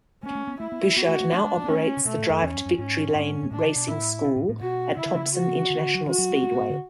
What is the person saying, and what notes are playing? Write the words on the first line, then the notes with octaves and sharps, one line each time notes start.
Bouchard now operates the Drive to Victory Lane Racing School at Thompson International Speedway.
A3 C#4
B3
A3
B3
A3 E4
B3
A3
B3 F#4
A3
A3
A3 D4
G#3
G#3
B3
A3 C#4
C#3
B2 A3
A2
F#2
E2 C#4
F#2
F#2
G#2 C#4
G#2
G#2
A2 D4
C#3
B2
A2 E4
B2
A2
A2
B2 F#4
C#3 E4
D3
C#3
F#4
D3
F#3
E3 F#4
F#3
G#3
G#3
A3
B3
D3